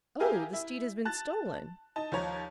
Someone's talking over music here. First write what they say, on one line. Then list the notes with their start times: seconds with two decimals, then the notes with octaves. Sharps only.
"Oh, the steed has been stolen?"
0.20 E4 G4 G#4 A#4 F5 G#5
0.53 E4
1.05 A5 F#6 A6
1.96 D#4 A5
2.12 D#2 F3 C#5 A#5